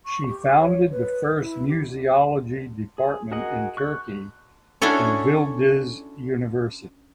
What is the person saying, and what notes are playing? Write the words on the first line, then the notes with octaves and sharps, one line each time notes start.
She founded the first Museology department in Turkey in Yildiz University.
C#6
G4
C#5
B4
E4
G4
G#4
F#4 G#4 A#4 D#5 F#5
C#6 F#6 G6
C#4 D4 E4 F#4 A4 C#5